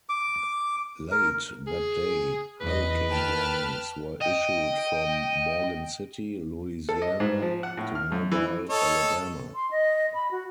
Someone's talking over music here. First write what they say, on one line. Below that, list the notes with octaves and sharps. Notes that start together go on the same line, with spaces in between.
Late that day, hurricane warnings were issued from Morgan City, Louisiana, to Mobile, Alabama.
D6
A#4
G#4
E2 B4 D#5
G5 A5 F6
D#5 G5
A4
D#5
G#2
F3
F#5
A2
F6
F#2
E3
A4 C#5 D#5
C6
D#5
B5
F#4